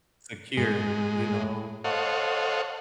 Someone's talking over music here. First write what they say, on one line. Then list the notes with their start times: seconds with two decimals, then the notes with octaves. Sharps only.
secure, you know?
0.57 G#2 G#3
1.84 A4 C5 C#5 D#5 F5 F#5